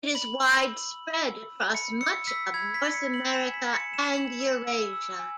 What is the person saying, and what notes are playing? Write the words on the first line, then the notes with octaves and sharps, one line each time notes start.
It is widespread across much of North America and Eurasia.
B5 F#7
E6
E6
B5
E6
E6
B5 C#7
E6 C#7
E6 B6
B5 G#6
B6
B5
C#7
B5
F#7
G#5 E7
B6
G#5
C#7
B5
E7
B5 F#7
E6
E6
E6
G#5